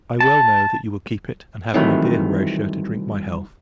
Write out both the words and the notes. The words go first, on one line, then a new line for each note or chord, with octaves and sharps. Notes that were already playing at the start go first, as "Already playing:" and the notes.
I well know that you will keep it, and have my dear Horatia to drink my health.
A5
C2 C3 D#3 E3 F#3 A3